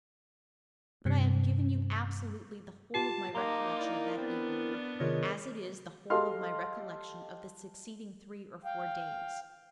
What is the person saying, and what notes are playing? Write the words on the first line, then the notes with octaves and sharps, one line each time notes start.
But I have given you absolutely the whole of my recollection of that evening, as it is the whole of my recollection of the succeeding three or four days.
G2 C3
F4 G4 A5 C7
A#3 D#4 A#5 C6 D6
E4 A#4 D5
B3 C4 D4
C3 D#3 F4 G#4 A#4 C#5 D#5
G4 A4 D#5 F5 C6 F6
F5 G5